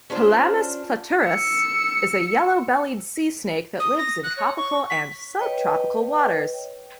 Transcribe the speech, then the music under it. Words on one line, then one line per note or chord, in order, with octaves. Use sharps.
"Pelamis platurus" is a yellow-bellied sea snake that lives in tropical and subtropical waters.
C#4 D4 F4 C5
E6 C#7
D#6
A#6
F#6
C#5
C#6
B6
B4 C#5 D#5 G5